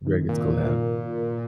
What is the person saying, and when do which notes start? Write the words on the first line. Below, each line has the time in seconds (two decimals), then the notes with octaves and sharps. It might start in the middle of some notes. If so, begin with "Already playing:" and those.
Very good skill to have.
0.05 G2 C3 D#3
0.29 A#2